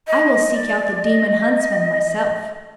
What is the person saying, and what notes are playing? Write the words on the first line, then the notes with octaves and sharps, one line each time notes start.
"I will seek out the demon huntsman myself."
D#5
D5
D#5